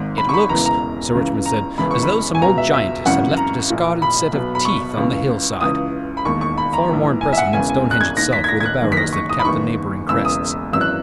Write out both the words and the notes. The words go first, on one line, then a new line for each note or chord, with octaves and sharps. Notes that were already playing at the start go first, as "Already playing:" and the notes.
"It looks," Sir Richmond said, "as though some old giantess had left a discarded set of teeth on the hillside." Far more impressive than Stonehenge itself were the barrows that capped the neighbouring crests.
Already playing: G#1 G#2 D#3
B5
C#6
B5
E1 E2 C#3 E3 A#5
A#5
C#2 C#3 E3
A#5
E1 E2 C#3 E3 B5
C#6
B5
G#5
C#2 B2 A#5
E5
E5
G#1 F#2 C#3 E3 F#5
A#5
A#1 A#2
B5
B1 B2
B5
C#6
C#2 C#3 E3
C#2 C#3 E3 D#6
B5
E1 D#2 D#3 C#6
C#6
B5
A#5
A#1 G#2 E3
G#5
E5
F#5
E1 E2 C#3 G#5
G#5
F#6
G#6
D#2 D#3 A#6
B6
G#6
A#6
G#6
F#6
F#1 E2 D#3
B6
A#6
C#6
D#6
B5
F#1 E2 D#3 C#6
E1 E2 C#3 E6
D#6
G#1 F#2 E3 E6
F#6